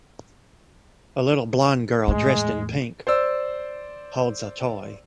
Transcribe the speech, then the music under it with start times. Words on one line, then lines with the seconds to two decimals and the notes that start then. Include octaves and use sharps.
A little blond girl dressed in pink holds a toy.
2.08 E2 A2 G#3
3.07 C5 D5 E6